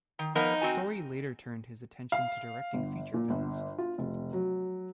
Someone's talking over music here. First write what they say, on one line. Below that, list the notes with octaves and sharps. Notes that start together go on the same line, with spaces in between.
Story later turned his attention to directing feature films.
D#3
F3 B3 D#4 A#4
C4 F#4 G#5
F5
G1
A#2
G1
F4
F1
F#3